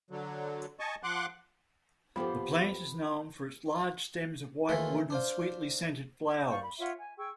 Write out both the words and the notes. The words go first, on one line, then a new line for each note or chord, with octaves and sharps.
The plant is known for its large stems of white wood and sweetly-scented flowers.
D3 F#3
D#5 G#5 A5 C#6
F3 F#5 C6 D6 F#6
F2 F3 B3 G4 A4 C5 B5
D#2 E3 A3 F4 C6
D4 C5 F5
D5 F5 C#6 G6
B5
F4 C#5 E5 F#5
G#5
G#4 G5 C#6 E6